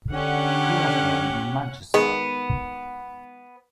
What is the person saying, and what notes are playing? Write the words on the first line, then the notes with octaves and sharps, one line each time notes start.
He was born in Manchester.
D3 C#4 G4 F#5
D#3 G#3 B3